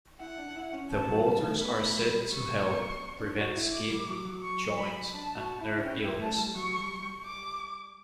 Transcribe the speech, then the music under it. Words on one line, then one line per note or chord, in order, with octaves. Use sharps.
The waters are said to help prevent skin, joint, and nerve illness.
E4 F#5
D4
E4
C#4
C#4 A5
F#3
G3
A3
B3 B5
A3
F#3
F#3
G3
G3 C#6
A3
B3
D4
F#4
E4
D6
G3
F#3
F#3
C#6
B5
D4 A5
F#4
E4
D4
C#4 G5
E4
A3 A5
G3
F#3 C#6
G3
G3
D6